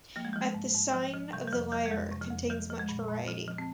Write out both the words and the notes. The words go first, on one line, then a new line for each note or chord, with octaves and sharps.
"At the Sign of the Lyre" contains much variety.
F3 A#3
G#3
F3 G3
G#3
G#2
G#2
F3
F3
C3 G3
G3
F2 F3
F3 G3
G#3
F2 G3
C3
F3
F2
F3 G3
F3
G#3
A#2
A#2
F3
F3
C4